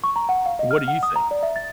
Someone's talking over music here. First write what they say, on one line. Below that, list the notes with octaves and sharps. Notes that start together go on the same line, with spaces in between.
What do you think?
C#6
A#5
F#5
F5
D#5
F6
F#5
D#6
A#5
D5
E5
A6